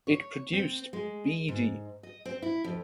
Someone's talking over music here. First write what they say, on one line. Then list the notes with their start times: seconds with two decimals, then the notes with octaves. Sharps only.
It produced beedi.
0.07 C#5
0.53 C4
0.93 G#3
1.48 G#2
2.03 D#5
2.25 C4
2.42 E4
2.64 F2